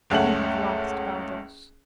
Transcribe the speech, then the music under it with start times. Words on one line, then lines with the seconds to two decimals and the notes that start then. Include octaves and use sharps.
You have lost Baldos.
0.10 F#1 C#2 A3 C#4 F#5 F#7